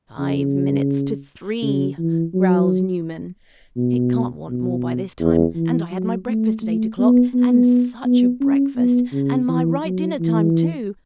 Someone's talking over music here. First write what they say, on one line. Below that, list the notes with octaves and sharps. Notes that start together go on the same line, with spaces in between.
'Five minutes to three,' growled Newman; 'it can't want more by this time; and I had my breakfast at eight o'clock, and SUCH a breakfast! and my right dinner-time two!
C#3
C#3
E3
F#3
B2
B2
E2
E3
F#3
A3
A3
B3
B3
B3
C#4
B3
C#3
E3
F#3
E3